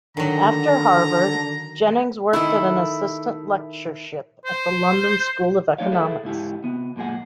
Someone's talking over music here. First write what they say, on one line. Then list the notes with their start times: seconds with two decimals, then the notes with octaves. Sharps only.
After Harvard, Jennings worked at an assistant lectureship at the London School of Economics.
0.17 D3 D#3 F#3 A#5
2.33 D#3 A3 E4
4.45 C5
5.78 F#3 A3 D#4 C#5 D5 F5
5.92 E4 G#4 A4 E5
6.24 C#2 G#2 E4 G4
6.64 C3 B3
6.96 F#2 A#2 G#3 G#4 F#5